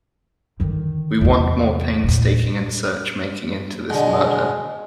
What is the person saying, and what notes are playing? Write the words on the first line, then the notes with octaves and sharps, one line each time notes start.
We want more painstaking and search-making into this murder.
D3 D#3
E2 C3
E2 A#2
B2 D3 G#3